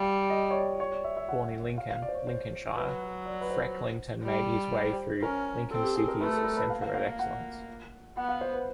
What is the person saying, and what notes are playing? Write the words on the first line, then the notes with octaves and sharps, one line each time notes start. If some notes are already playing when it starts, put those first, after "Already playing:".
Born in Lincoln, Lincolnshire, Frecklington made his way through Lincoln City's Centre of Excellence.
Already playing: G3 F5
D#5
C#5
D5
C#5
D5
E5
E5
F#5
F5
F5
D5
C5
C#5
C5
F#3 B4
D5
B4
C5
G3
C5
C#4 A#4
C4 A4
G4
G#4
A#4
A3 B4
A4
A#4
B4
A#3 F5
F5
F5
F5
F#5
B3 F#5
F5
C5
B4